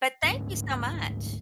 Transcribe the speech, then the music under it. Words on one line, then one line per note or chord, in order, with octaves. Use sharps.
but thank you so much.
D2 G#2 C#4